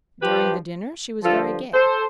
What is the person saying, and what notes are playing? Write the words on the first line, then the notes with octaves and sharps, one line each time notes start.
During the dinner she was very gay.
G2 F3 G4 B4
G2 D3 F3 F4 A4
A4 C5